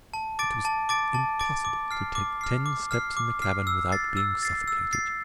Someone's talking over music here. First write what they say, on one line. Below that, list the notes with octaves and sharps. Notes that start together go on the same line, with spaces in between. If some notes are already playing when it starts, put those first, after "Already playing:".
It was impossible to take ten steps in the cavern without being suffocated.
A5
D6 A6 D7
A5
D6 A6 D7
A5
D6 A6 D7
D6
F6 C7
D6
F6 C7
D6
F6 C7
D6
F6 C7
E6
A6 C7
E6
A6 C7
E6
A6 C7